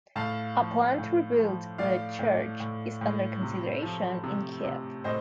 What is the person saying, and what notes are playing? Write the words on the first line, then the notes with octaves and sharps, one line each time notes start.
A plan to rebuild the church is under consideration in Kiev.
A2 F5 A5
F3
A2
F3
A2 D5 F5
A2
A2
A2
C3
F3
C3
C3
A2 C5 D#5